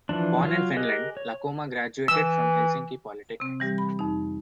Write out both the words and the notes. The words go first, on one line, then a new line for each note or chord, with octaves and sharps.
Born in Finland, Lakomaa graduated from Helsinki Polytechnics.
E3 F3 D4
F#3 F4 F5
G4 G#4 A#4 D#5 F#6
C#5
E3 E6
C3 C4
E3 G3 G4
B5
F2 D#4